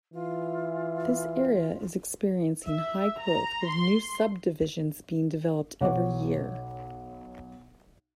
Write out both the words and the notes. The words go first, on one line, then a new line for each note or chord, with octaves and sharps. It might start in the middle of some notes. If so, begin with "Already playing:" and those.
This area is experiencing high growth with new subdivisions being developed every year.
E3 F4
E5
A#5
C6
B1 C#5 F#5 D6